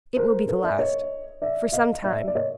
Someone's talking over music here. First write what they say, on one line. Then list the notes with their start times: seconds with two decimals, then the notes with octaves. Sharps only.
"It will be the last--for some time."
0.16 A#4 C5
0.47 A4 B4
0.63 D5 E5
0.79 C#5 D#5
1.42 D5 E5
1.72 D#5 F5
2.04 D5 E5
2.28 D5
2.35 C#5 D#5